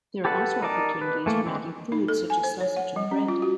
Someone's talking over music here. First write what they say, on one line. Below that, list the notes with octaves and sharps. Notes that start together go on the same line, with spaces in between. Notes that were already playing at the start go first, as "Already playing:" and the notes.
There are also opportunities for making foods such as sausage and bread.
G4 A4 B4 F#5 A5
D#4 A#4 D5 A5
B4
E3 A3 A#3
D3 E3 G#3 C4
D#4
A4
G#5
C5
C#5
F#5
G3
C#4
F4
F#4